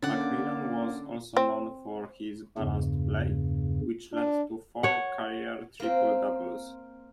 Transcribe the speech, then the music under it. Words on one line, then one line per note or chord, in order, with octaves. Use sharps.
McMillan was also known for his balanced play, which led to four career triple-doubles.
D3 A#3 C#4 D5 F#5
C4
E2 G2 C#3
D4
C#5 F#5
A#3 C4